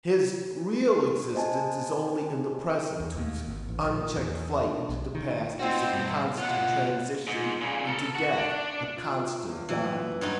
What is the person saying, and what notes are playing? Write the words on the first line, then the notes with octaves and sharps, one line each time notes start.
His real existence is only in the present, whose unchecked flight into the past is a constant transition into death, a constant dying.
C5 D#5 G#5 A5
E2
D#2
G#1
A1
A#1
A#2
E2
D4
B1
D#3
C4 D#4 F#4
G2 B2
B2 F4 F#5
G#2
A#2 C#3
A4 A#4
F#4
D4
F4
E2 F4
F#2 E3 A#3
G2 F#3 D#4